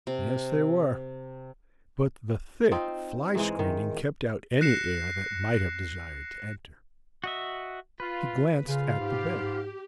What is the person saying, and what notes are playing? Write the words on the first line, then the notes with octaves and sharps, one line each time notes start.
Yes, they were; but the thick fly-screening kept out any air that might have desired to enter. He glanced at the bed.
C3
C4 D#4 F4
G#2 E3 G#3
D#3
F#6 A#6 C7 C#7 E7
F#4 D#5 E5
F4 B4
C#3 F4 F5
G#2 G4